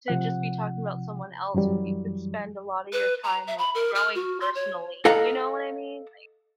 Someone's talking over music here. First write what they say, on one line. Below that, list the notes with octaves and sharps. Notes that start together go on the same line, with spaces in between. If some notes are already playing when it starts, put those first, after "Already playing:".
to just be talking about someone else when you could spend a lotta your time, like, growing personally, you know what I mean? Like
C3 F3 F#5
F#2 E3 F#3 G3
B4
A#5
E5
B5
A#4
F6
F#4
C6
C#5
A4 D#5 F5 F#5 A#5